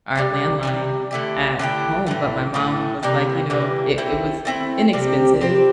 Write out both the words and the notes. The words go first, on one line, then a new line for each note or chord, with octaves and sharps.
our landline at home, but my mom was, like, you know, it it was inexpensive,
C3 E3 G3
C3 E3 G3
D3 A3 E4 G4
D3 A3 E4 G4
A2 E3 A3
A2 E3 A3
C3 E3 G3 A#3
C3 E3 G3 A#3
A3 C4 E4
A3 C4 E4
C3 G3 C4 G4
C3 G3 C4 G4